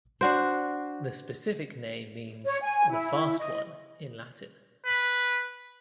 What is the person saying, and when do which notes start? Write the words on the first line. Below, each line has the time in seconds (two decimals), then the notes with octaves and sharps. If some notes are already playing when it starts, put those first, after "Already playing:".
The specific name means "the fast one" in Latin.
0.21 D4 F#4 C5
2.45 C#5
2.62 G#5
2.89 E4
3.39 D#5
4.86 B4